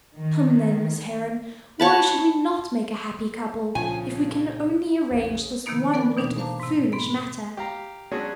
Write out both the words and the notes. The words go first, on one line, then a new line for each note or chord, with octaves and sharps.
Come, then, Miss Heron, why should we not make a happy couple, if we can only arrange this one little foolish matter?
D#3
C#5 A5 B5
C2 A#2 C#3 F3 D4 G#5
D#4
A#1 F2 C#3
C3 D#3 F3 A#3 B3 D#4
B3 A#4 B4 D5 F#5 G#5
B2 E3 D4 D#4
C5 F5 A5 A#5 D6
G#2 C3
G#2 B3 B5
G4 F5 A#5
F#3 G#3 C#4 D4 F#4 G#4